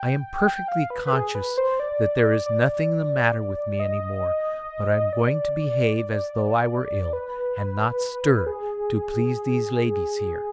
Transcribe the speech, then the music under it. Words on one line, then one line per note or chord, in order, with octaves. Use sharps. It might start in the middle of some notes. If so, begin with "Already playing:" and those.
I am perfectly conscious that there is nothing the matter with me any more; but I am going to behave as though I were ill, and not stir, to please these ladies here.
Already playing: G5
G5
F5
B4
B4
G#4
B4
C5
D5
D5
D#5
D5
B4
G#4